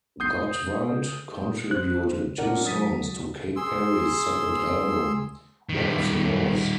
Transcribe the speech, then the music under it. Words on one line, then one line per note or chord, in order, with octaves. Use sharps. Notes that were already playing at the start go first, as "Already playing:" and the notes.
Gottwald contributed two songs to Katy Perry's second album,"One of the Boys".
D#6 G6 C7
C5 F#6
C#4 D4 A#4 F#5
F#3 D#6 A6 B6 D#7
G#4 C6 E6
D#3 G3